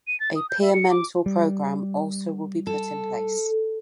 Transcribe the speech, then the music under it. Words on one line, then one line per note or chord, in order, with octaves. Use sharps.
A peer mentor program also will be put in place.
D#7
A6
D#6
G6
E5
C#7
D6
G3
A4